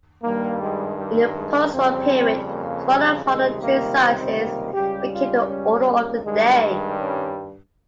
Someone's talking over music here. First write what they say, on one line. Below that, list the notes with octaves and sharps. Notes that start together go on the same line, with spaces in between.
In the postwar period, smaller model train sizes became the order of the day.
G2 D#3 G3 A#3
G#3
G3
G#3
F2 C#3 G3 C4
A#3
G3
C#2 C3 D#3 G3 G#3
A#3
C4
A#3
C#2 C#3 G3 G4
F4
C#4
A#3
G2 D#3 G3 G#3
G#3
C#4